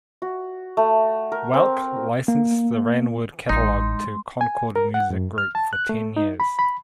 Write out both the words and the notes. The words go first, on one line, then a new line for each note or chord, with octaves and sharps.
Welk licensed the Ranwood catalog to Concord Music Group for ten years.
F#4
A3
A#4
C4
A#3
A1 G#3 D#4 C6
G#5
A#4
F#5
F#2
F6
A5
F#6
A3
D#4
B5
B5